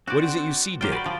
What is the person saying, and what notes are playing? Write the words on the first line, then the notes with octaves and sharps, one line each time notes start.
"What is it you see, Dick?"
C4 D4 F#4 C5 D5
F#5
F#3 F4 G4 A#4 C5 G5
F#4 D5 G#5 B5
F3 D5